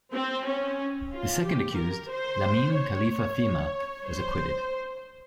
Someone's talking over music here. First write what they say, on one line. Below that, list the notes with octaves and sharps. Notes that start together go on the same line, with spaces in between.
The second accused, Lamin Khalifah Fhimah, was acquitted.
C4
C#4
F4
G4
A#4
C5
C#5
C5